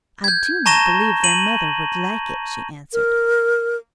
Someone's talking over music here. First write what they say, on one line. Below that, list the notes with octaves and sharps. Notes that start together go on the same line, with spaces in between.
"I do not believe their mother would like it," she answered.
G6 G#6
A5 A#5 C#6 A#6 E7 G7
D#7 F#7
A#4